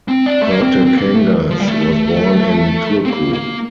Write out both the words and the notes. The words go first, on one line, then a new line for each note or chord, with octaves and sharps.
Kortekangas was born in Turku.
C4
D4
A3
A#3
C4
C4
A#3
A3
F3
G3
A3
C4
A#3
A#3